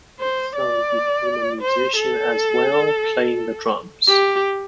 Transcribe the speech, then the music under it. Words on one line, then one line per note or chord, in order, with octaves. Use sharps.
His son became a musician as well, playing the drums.
C5
D5
C5
A4
G4